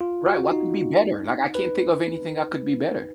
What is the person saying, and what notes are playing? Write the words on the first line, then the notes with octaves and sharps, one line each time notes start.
Right, what could be better? Like, I can't think of anything that could be better.
F4
F#4
D#4
B4